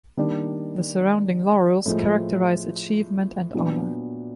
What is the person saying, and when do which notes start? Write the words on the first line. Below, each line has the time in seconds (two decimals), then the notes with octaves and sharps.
The surrounding laurels characterize achievement and honor.
0.17 D#3 G3 A#3 D4
1.86 A2 F3 G#3
3.54 A#2 F#3 B3 D4 F#4